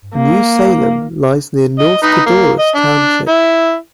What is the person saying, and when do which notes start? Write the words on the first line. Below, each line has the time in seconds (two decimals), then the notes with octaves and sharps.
New Salem lies near North Codorus township.
0.15 A#3
1.79 D#5
2.03 D#4 B4
2.26 A#3
2.59 D#5
2.75 D4
3.28 E4